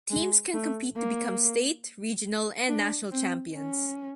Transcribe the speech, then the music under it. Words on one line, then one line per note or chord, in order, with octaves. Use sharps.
Teams can compete to become state, regional, and national champions.
G#3
A3
A#3
D4
C4
C#4